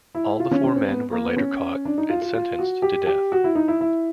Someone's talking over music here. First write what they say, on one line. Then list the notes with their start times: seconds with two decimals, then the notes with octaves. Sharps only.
All the four men were later caught and sentenced to death.
0.15 E4
0.40 F4
0.51 C#4
0.64 C#4
0.76 C4
0.88 B3
1.12 A#3
1.25 B3
1.37 C#4
1.85 D4
1.98 D#4
2.10 F4
2.22 F4
2.34 F4
2.59 F#4
2.82 G4
3.07 G4
3.32 F#4
3.44 E4
3.55 D#4
3.68 E4
3.81 E4